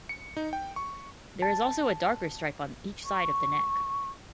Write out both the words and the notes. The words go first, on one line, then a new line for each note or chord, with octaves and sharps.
There is also a darker stripe on each side of the neck.
C#7
D#4
G5
C#6
A5
C#6